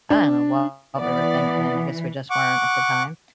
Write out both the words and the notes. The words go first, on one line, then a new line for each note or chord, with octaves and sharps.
I don't know what we were thinking, I guess we just weren't at the time.
D4
E3 B3 D5
F#5 C#6 D6